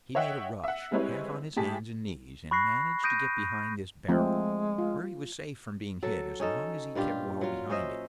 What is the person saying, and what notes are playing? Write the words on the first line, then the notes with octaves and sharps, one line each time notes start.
He made a rush, half on his hands and knees, and managed to get behind this barrel, where he was safe from being hit as long as he kept well behind it.
C#5 D#5 E5 F#5 G5
E5 F#5
G3 G#3 C4 E4 B4 C#5
A2 G4 G#4 A5 B6
B5 C#6 F#6 A#6 C7
D#6 G6 A#6 D7 D#7
F3 G#3 A3 C4
F4
F#3 A4
C#4 D#4 A4
G2 A#2 F4 G4
F#3 F4
C#4 C5 D#5 E5